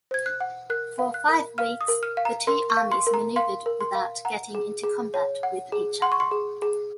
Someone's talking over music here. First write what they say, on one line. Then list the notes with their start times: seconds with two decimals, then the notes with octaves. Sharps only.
For five weeks the two armies manoeuvred without getting into combat with each other.
0.11 C5 G#6
0.26 F#6
0.41 F#5
0.70 A#4 F#6
0.99 F5
1.14 F#6
1.29 A#4
1.58 F5 F6
1.81 D#6
1.88 A#4
2.03 F6
2.17 F5
2.25 A#5
2.47 A#4 C6
2.70 C#6
2.77 F5
2.92 C6
3.07 A#4
3.14 A#5
3.36 F5 C6
3.66 A#4
3.81 C6
3.95 F5
4.25 F#5 A#5
4.55 G#4
4.83 G#4
5.14 C#5
5.43 F#5
5.72 G#4
6.02 F#5 C6
6.12 C#6
6.20 C6
6.31 G#4
6.62 G#4